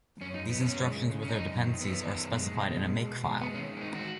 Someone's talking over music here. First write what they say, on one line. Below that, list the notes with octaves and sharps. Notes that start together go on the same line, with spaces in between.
These instructions with their dependencies are specified in a "makefile".
F#2 C#4
D#4
F#2
B3
F#2 C#4
G#3
C#3
C#3
C#4
F#2 D#4
F#2
D#3
F#2 B3
D#3
F#2
G#3
B2
G#3
B2
B2
G#3
G#3 B3
C#4
D#3
G#3 D#4
F#4